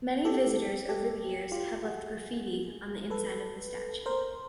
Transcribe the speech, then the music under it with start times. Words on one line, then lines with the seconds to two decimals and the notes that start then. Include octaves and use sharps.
Many visitors over the years have left graffiti on the inside of the statue.
0.25 G4 A4
0.89 G4 A4
1.52 F4 G4
1.84 F#4 G#4
3.10 A4 B4
4.06 A#4 C5